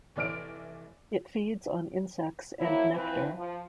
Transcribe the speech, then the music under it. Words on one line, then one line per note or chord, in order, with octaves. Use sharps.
It feeds on insects and nectar.
F1 E3 D5 F6 D7
F3 F#3 A#3 E4
E3 F3 C4 E4 B4
F3